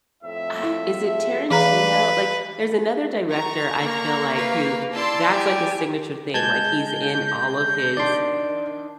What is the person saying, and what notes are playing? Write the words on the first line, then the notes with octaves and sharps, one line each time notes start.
ugh is it Tarantino? Like, there's another director I feel like who that's like a signature thing, like he's in all of his,
F2 A2 E5
E4
E3 A3 D4 G#4 B4 F5 A#5
A#5 C#6
A#3
B4 F5
E4 D5 A5 C6 E6
G4 G#5
G#3 A5 G6 G#6
D#3 D4 D5 C6